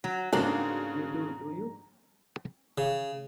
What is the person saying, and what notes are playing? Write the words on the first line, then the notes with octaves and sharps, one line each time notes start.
You do, do you?
F#3
G#2 C#3 A#3 C4 D4 F#4 A#5
C#3